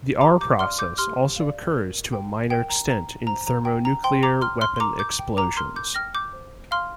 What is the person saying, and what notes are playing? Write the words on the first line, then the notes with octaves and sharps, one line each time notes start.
The r-process also occurs to a minor extent in thermonuclear weapon explosions.
G4 A#5 D6
D6 G6
D5 F5 C6 F6
D6 G6
G4 C6 F6
D5 F5
A#4
G5
A#4 G5
A#5
G5 A#5
C5 A#5
A#5
G5
A#5
C5 G5 C6
A#5 D6
G5 C6 F6
C6 F6
C6
A#4 A#5 D6
D6 G6
G5
A#5 D6
A#4 C6 F6
D6 G6
G5 F6 A#6
D6 G6
C5
F5 C6 F6